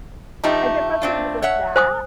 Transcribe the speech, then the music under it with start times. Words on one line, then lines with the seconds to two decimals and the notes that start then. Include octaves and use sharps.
I get frustrated with that,
0.44 F3 A3 D#4 G4
1.02 C4 D4 F4
1.42 C#5 E5 F#5
1.76 C5 G#5 D#6